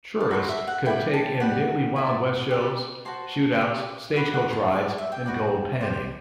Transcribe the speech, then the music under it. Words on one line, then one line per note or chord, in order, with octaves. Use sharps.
Trourist could take in dailey wild west shows, shootouts, stagecoach rides and gold panning.
A5
F#4 A4 C5 B5
E5
F#5
E4 B4 D5 G5
A5
G4 B4 D5 F#5
E4 A4 D5
G4 D5
F#4 C5 A5
G4 D5
F#4 B4 D5 B5
F#5
A5
G4 D5
E5
G5
F#4 B4 D5
G4 C5